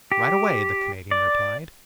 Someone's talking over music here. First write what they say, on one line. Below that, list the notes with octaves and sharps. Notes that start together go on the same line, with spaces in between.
"Right away!" the Canadian replied.
G4
D5